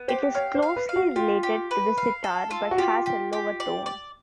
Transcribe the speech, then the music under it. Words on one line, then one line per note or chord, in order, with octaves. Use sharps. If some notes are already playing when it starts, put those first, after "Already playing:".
It is closely related to the sitar, but has a lower tone.
Already playing: B3
G4 C5
C#5 F5
C5
F5
B4
F5
F#4
F4 G4
G4
B4
F5
A4
F4
F#4
F4 G4
G4
G4
D5
D5